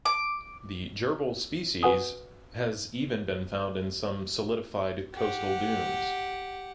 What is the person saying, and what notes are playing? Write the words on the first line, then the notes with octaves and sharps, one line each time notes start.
The gerbil species has even been found in some solidified coastal dunes.
D6
F#4 B4 F#5 G#5 D#6
G4 F#5